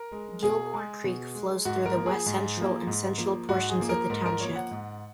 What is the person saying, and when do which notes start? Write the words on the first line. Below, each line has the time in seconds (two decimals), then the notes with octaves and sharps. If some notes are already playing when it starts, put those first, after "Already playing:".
Gilmore Creek flows through the west-central and central portions of the township.
Already playing: A#4
0.12 G#3
0.43 B2 G#4
0.74 G#3
1.04 B2
1.35 G#3
1.65 G#2 F#4
1.86 A#4
1.96 F3 A#3
2.06 G#4
2.26 G#2
2.57 F3 A#3
2.87 G#2
3.18 F3 A#3
3.49 G#2 F#4
3.69 G#4
3.79 F3 A#3
3.89 A#4
4.10 G#2 A#4
4.26 A#4
4.40 F3 A#3 C#5
4.56 F#5
4.71 G#2